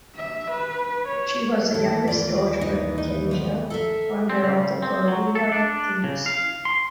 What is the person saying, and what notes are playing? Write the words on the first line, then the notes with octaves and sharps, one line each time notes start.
She was the youngest daughter of Taejo, founder of the Goryeo dynasty.
E5
B4
C#5
D#2 D#3 E3 E4 A4
F4 D5
D#4
D#4
F3 B3
A4 A#4 E5
C4
C#3
C4
F#3
A4
D4
C#3
F5
C6